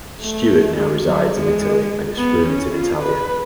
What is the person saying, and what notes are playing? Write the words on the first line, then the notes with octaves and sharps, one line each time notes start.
Stewart now resides in Italy, and is fluent in Italian.
A3
G#3
F#3
G#3
B3
C#4
F4
B4